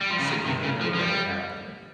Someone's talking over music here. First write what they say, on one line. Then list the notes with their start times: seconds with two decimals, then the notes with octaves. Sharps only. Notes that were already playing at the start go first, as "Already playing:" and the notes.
scenario that happened.
0.01 G3
0.10 F3
0.19 C#3
0.28 D#3
0.46 C3
0.63 C#3
0.81 F3
0.95 F3
0.99 G3